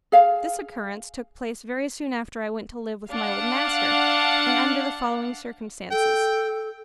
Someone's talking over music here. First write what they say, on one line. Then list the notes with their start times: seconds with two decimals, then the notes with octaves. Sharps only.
This occurrence took place very soon after I went to live with my old master, and under the following circumstances.
0.12 G#4 F5
3.10 D4 F5 F#5
5.91 A4 G5